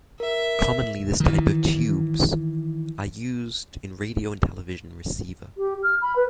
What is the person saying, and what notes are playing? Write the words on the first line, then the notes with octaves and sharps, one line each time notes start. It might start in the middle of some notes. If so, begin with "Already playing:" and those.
Commonly this type of tubes are used in radio and television receiver.
A#4 E5
D#3 E3
G4
F6
B5
B4